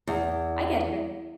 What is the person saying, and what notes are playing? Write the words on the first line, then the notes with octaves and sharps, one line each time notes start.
I getcha.
E2